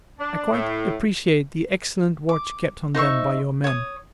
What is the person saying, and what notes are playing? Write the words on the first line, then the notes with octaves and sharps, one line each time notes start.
I quite appreciate the excellent watch kept on them by your men.
D4
A2
D6
D#4 C5 E5 C#6
C#5 D#6